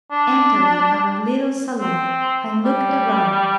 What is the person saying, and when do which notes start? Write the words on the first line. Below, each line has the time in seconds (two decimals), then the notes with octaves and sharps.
Entering our little salon, I looked around.
0.11 D4
1.80 C4
2.65 G3